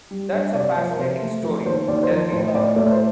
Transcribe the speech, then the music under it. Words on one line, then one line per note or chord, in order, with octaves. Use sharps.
That's a fascinating story, tell me more!.
G3
G2
C3 D5
F3 C5
A#4
C3 C5
A3
F3 A#4
D#2 C5
D#2 D5
C5
F3 A#4
A2 C5
D#5
A2 D5
A3 D5
C5